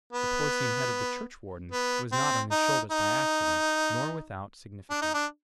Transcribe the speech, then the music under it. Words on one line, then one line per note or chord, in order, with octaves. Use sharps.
The porcine head of the churchwarden was not on his shoulders by accident, nor without significance.
B3
B3
C4
D#4
D#4
D4
D#4
D4